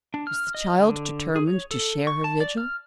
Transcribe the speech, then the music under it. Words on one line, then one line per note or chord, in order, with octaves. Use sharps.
Was the child determined to share her vigil?
D4
F6
D#5
D3
G#4
C#5
A4
C#6
A5
D5
F6